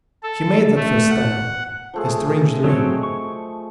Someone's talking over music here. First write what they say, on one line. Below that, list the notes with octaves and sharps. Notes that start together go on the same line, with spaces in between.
He made that first stumble, a strange dream.
A4
A3
F#5
F3 A3 G#4
F#3 C4 C#5 D#5
C#6